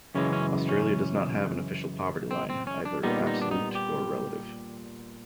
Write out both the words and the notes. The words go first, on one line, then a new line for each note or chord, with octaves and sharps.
Australia does not have an official poverty line, either absolute or relative.
F#2 C#3 E3 G#3 C#4
C#4
C#4
C4
C4
C#4
D4
A#2 G3 B3 D#4
D#4
D4
D#4
G4